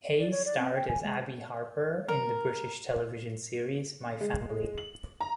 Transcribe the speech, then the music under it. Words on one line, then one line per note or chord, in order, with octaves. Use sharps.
Hayes starred as Abi Harper in the British television series "My Family".
D5
C#5
D5
C4
G5
G#5
G#3
A#4
G#3
F#7
A#5